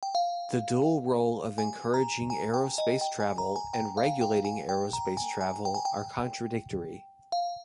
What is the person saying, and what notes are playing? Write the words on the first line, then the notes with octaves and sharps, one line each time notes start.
The dual role of encouraging aerospace travel and regulating aerospace travel are contradictory.
G5
F5
G#5
A#5
G#5
G5
D#5
G5
G#5
A#5
G#5
G5
F5
G5
G#5
G5
A#5
G#5
G#5
G5
G#5
G5
F5